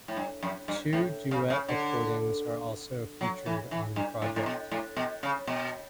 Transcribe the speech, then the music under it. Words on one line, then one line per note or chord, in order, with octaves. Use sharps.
Two duet recordings are also featured on the project.
A2
G2
F#2
G2
A2
C#3
C#3
D3
F#3
E3
E3
G2
A2
A2
B2
A2
B2
C#3
B2